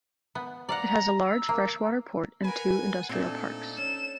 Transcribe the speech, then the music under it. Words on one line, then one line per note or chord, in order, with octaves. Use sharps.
It has a large freshwater port and two industrial parks.
B3
D5 F5 F#5 A#5
E6
A#3
A#4 B4 F#5 G#5
A#2 A3 C4 D4 D#4 A4
C#4 E7